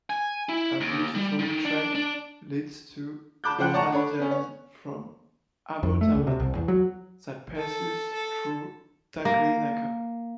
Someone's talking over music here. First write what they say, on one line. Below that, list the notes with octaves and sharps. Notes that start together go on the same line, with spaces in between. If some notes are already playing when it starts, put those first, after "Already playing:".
A beautiful trek leads to Thandiani from Abbottabad that passes through Dagri naka.
G#5
E4
D#2
G3
D#3
D4
D4
A5 B5 D6 F#6 G6
C#3 F3 C5 F#5 G5 F#6
C#5 D5 F#5 A5 A#5 C#6
D4 A4 C#5 B5
B3 C#4
C#5
F2
A3
C#2
C3
C2
E2
F#3
A4
A4
A#3